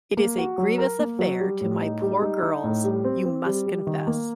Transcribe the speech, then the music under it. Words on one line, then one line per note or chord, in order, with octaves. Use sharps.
It is a grievous affair to my poor girls, you must confess.
A#3
F#4
F#3
A#4
A#3
F#3
G3
A2
D#4
G3
D#4
D#4
A2
G3
C4
C4
G3
G3
D#3
A#3